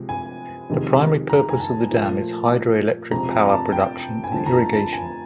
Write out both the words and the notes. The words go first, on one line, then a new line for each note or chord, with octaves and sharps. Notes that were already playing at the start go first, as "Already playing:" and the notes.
The primary purpose of the dam is hydroelectric power production and irrigation.
Already playing: C3 F3 G#3
G#5
F2 C3 D#3 G#3
A#5
G#5
A5
A#2 F3 A3
F2 C3 F3 G#3 A#5
A#5
A5
G5
G#5
F2 D3 F3 A3 A5
A#5
A5
A5
G#5